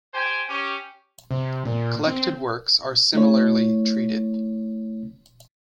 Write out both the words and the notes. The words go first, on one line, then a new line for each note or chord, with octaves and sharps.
Collected works are similarly treated.
G4 C5 G5 G#5
C#4 G4
C3
A#2
C4
A3 E4 C#5